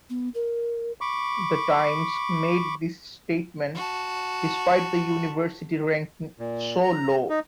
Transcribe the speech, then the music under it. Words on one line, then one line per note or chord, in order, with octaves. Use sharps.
The Times made this statement despite the University ranking so low.
B3
A#4
B5 C#6 D6
F#4 A5
A#2
A#5
D#4